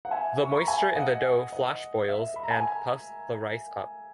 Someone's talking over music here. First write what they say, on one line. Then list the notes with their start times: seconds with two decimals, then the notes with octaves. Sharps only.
The moisture in the dough flash boils and puffs the rice up.
0.05 F#5
0.11 E5 G#5
0.45 C#6
0.52 B5
0.60 A#5
0.68 E5 G#5
0.96 D#5 F#5
1.53 D#5
2.09 E5
2.36 B5
2.43 A#5
2.51 G#5